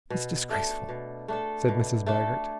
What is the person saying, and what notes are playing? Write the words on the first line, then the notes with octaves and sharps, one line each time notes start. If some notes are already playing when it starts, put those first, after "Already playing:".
"It's disgraceful," said Mrs. Baggert.
B2
A3 D4 A4
B2
A3 D4 A4
B2
A3 D4 A4